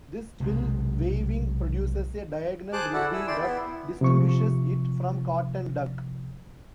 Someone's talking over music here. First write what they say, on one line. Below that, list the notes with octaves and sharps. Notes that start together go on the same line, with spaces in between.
This twill weaving produces a diagonal ribbing that distinguishes it from cotton duck.
B1 C3 G#3
G#4 C5 A5 D6 F#6
E4 F#4 A4 D5 F#5
E4 G#4 E6
E4 D5 G5 C6
B3 E4
C3 F3 C#6